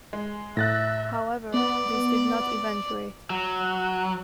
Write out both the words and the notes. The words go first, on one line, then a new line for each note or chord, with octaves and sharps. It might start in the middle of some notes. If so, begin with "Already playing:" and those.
However, this did not eventuate.
G#3
A2 E5 F#6 A6 A#6
B3 D5
F#3